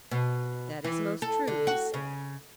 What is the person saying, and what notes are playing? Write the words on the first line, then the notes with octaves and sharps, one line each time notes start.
That is most true, he said.
B2
E3
A4
D3
F#4
C#3